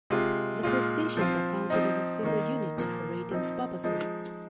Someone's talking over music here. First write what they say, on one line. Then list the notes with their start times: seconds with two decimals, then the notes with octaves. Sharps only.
The four stations are counted as a single unit for ratings purposes.
0.10 C3 G#3 F4
0.63 A#2 G#3 F4
1.17 F3 C4 F4
1.70 F3 C4 D#4
2.23 D#3 A#3 D#4
2.77 A#2 F3 A#3
3.31 F3 C4 D#4
3.84 F3 G#3 D#4